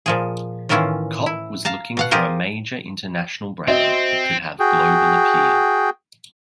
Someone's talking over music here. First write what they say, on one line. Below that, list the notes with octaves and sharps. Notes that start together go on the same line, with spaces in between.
Cott was looking for a major international brand that could have global appeal.
A#2 F3 G#4
A2 D#3 E3 C#4 E4 F4
E4
F5 A5 A#5
B2 F5 F#5
F4 G4 G#4 A#4 C5
C4 F#4 D#5 E5
F#4 G#4 G5